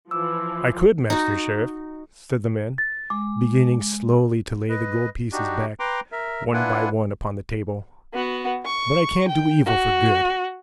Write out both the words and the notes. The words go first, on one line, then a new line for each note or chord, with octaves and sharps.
"I could, Master Sheriff," said the man, beginning slowly to lay the gold pieces back one by one upon the table; "but I can't do evil for good."
E3 F3 D6 E6
D#4 F#4
A6
G#3 D6
B4 D#5
D4 D#4 F#4 G4
B4 G5 A#5 C6 D6
A#4 E5
D4 E4 F4 B4 F#5 G#5
B3 F#4
C#6
G5
F#4